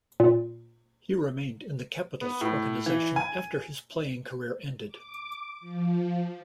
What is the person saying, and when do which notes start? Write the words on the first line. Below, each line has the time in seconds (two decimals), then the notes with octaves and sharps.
He remained in the Capitals organization after his playing career ended.
0.20 A#2
2.21 B3
2.41 A2
2.86 E3
3.16 G#5
4.88 D6
5.60 F3